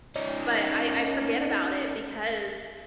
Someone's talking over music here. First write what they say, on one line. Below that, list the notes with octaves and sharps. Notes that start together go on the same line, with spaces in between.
But I I forget about it because
C#4 D#4